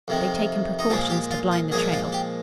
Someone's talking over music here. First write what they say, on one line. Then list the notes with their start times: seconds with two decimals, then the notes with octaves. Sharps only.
They've taken precautions to blind the trail.
0.08 F2 C3 D#3
0.79 D#4
0.90 A#2 F3 G#3 F4
1.10 G4
1.31 F4
1.51 F4
1.72 A#2 F3 G#3 G#4
1.92 F4
2.12 G4